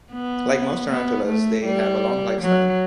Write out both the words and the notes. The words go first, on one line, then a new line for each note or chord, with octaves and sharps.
Like most tarantulas, they have a long lifespan.
B3
B3
A3
G3
F#3